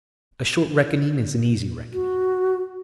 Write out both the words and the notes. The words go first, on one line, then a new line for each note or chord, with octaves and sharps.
A short reckoning is an easy reckoning.
F#4